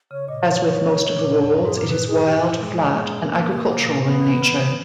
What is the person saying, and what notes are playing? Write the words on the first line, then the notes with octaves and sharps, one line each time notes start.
As with most of the wolds, it is wide, flat and agricultural in nature.
C#3 C#5
A#2 D#5
C#5
A#2
E2
G2
G#2 G#4
A#2 A#4
B2 B4
G#4
G4
D#4
E4
B2 G#3
C#3 A#3
B2
A#2
G#2 B3
E3
D#3
C#3
D#3
B3